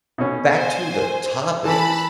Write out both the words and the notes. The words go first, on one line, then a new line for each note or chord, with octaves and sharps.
back to the topic.
B2 C#4
C5 G#5
E3 A5 B5